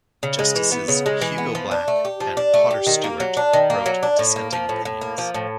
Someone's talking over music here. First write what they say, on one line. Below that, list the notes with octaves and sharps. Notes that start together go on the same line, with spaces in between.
Justices Hugo Black and Potter Stewart wrote dissenting opinions.
C#3
G#3
E3
B3
C#3
G#3
E3
B3
F3
D4
A3
G4
F3
D4
A3
G4
D#3
A#3
F#3
D4
D#3
A#3
F#3
D4
A2
A#3
F3
A2
A2
A#3
F3
A2